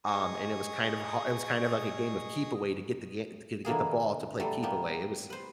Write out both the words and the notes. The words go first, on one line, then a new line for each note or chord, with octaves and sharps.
um, and it was kind of ha it was kind of like a game of keep away to get the ga to get the get the ball to play keep away. It was
G#4 D#5 C#6 D#6
D3 E3 A#3 G#4
F#3 G3 A3
A#3 B3 G4
B4 C5